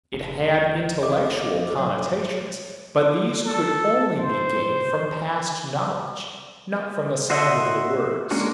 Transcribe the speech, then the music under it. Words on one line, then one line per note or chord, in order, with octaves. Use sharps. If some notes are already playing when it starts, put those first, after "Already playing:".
It had intellectual connotations, but these could only be gained from past knowledge, not from the sound of the words.
F1
A4 D#5 D6
F#3 C#5
A4
C5
F#4 C5 D#5 E5 F#5
G#3 A#3 C#4 D4 F#4